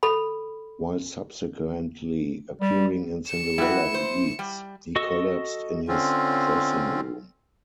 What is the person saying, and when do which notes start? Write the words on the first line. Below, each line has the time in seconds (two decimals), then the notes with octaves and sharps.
While subsequently appearing in "Cinderella" in Leeds, he collapsed in his dressing room.
0.03 A4 B5
2.61 G3
3.27 C#7 E7
3.58 G3 E4 F#4 B4
3.94 C5
4.39 G3
4.96 F#4 A4 D#5 C#6 E6
5.88 D3 C4 C#4 F4